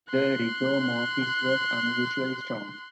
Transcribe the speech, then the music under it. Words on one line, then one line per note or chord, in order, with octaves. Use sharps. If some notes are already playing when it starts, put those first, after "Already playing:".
The "rigor mortis" was unusually strong.
C6 F#6